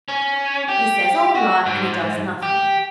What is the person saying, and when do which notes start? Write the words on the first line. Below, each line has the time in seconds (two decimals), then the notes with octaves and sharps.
He says, 'All right,' and he does nothing.
0.09 C#4
0.69 G4
1.35 F#4
1.66 G#2
2.43 G4